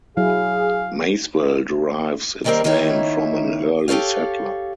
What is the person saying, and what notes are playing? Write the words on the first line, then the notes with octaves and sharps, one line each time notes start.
Maysville derives its name from an early settler.
F#3 E4 G#4 F5
D3 D#3 G3 A#3 C4 A#4
D#2 D#3 A#3 D#4 E4 C#5
G4 A4 A#4 C#5 F5